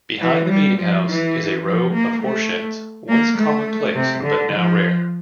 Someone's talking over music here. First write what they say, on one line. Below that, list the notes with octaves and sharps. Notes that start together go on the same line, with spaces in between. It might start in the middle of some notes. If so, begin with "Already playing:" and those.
Behind the meetinghouse is a row of horse sheds, once commonplace but now rare.
E3
G3
F3
E3
F3
A#3
A3
A#3
A3
C3
D3
F3